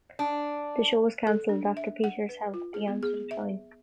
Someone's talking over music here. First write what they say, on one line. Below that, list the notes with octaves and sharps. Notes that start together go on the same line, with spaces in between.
The show was canceled after Peters' health began to decline.
D4
A4
D4
E5
F#5
B4
F4
G#4
B3
G#4
E5